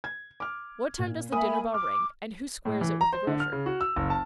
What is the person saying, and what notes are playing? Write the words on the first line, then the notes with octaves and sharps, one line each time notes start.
What time does the dinner bell ring and who squares it with the grocer?
G#6
D6 F6
A#2
A#3 E5 G#5 B5 D#6
D6 F6
A2
E3
A#5
C5
D3
F6
C#3
F#4
E6
F#1
A5